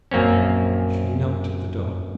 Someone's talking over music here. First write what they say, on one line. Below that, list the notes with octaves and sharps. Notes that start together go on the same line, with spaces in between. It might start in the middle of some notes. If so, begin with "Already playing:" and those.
She knocked at the door.
A#1 F#2 A#3 C4 C#4